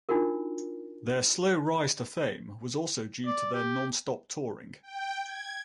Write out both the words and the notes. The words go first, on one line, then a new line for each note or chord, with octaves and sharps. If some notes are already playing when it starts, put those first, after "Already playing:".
Their slow rise to fame was also due to their non-stop touring.
D4 D#4 F4 F#4 A#4
D5
G4
G5
G#6